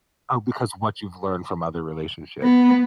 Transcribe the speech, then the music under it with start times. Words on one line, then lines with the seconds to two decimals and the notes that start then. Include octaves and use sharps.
Oh, because what you've learned from other relationships.
2.43 B3